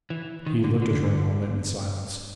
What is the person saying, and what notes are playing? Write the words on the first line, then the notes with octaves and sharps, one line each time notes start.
He looked at her a moment in silence.
E3
D#3
D3
D3